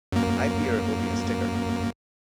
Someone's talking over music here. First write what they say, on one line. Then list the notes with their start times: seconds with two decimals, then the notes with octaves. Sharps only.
I fear it will be a sticker.
0.12 F#2 A#3